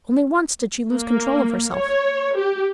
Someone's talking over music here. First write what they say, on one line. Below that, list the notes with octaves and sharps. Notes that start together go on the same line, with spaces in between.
Only once did she lose control of herself.
A#3
C#5
G4